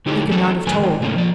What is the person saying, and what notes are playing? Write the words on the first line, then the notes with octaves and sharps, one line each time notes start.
He could not have told.
D3 D#4 E4 G4 A4
E3 G3 A#3 C#4 G#4 A4
E2 A2 D#3 F#3 B4 G#5
D#3 G#3
G#2 C3 A3 A#3 C#4
F3 D5